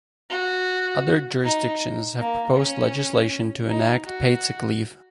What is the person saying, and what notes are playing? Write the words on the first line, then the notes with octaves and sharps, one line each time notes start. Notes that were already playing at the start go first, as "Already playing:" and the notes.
Other jurisdictions have proposed legislation to enact paid sick leave.
F#4
D#4
A#3
C#4
D#4
F#4